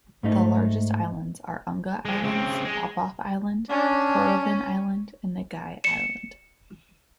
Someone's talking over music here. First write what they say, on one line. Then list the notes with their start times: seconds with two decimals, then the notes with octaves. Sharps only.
The largest islands are Unga Island, Popof Island, Korovin Island, and Nagai Island.
0.23 G#2 A3 D#4
2.05 F3 G#3
2.24 C#3 C4
2.65 G#3
3.70 C#4 D4
5.84 C#7 E7